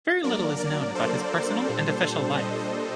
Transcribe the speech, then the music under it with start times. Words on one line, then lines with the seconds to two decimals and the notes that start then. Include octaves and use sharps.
Very little is known about his personal and official life.
0.24 F#3 A#3 D4 A#4 D5
0.59 A#4 D5
0.95 A4 C5
1.67 A#2 G3 D4
2.37 C5 D#5